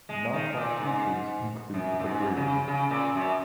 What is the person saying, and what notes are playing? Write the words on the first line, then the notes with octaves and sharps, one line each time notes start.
Not all fugues include a bridge.
G#3
D#3
A#2
G#2
F#2
A#2
G#2
C#3
C#3
A#2
F#2